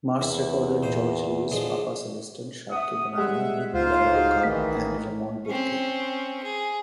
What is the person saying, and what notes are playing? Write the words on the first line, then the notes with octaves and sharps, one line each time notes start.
Mares recorded George Lewis, Papa Celestin, Sharkey Bonano, Nick LaRocca, and Raymond Burke.
E2 E4
A#2 C5
D3 F3 G#3
E5 F#5 D#6
G3 G#3 E5 F#5
C#2 G#2 F4 C5 F5
D#4 F#4 G#4
A#1 D#3 E3 A3 B6
C4 C#4
G#4